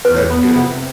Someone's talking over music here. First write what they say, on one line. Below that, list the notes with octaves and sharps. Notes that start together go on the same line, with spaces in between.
That's good.
E2 B4
B3
C3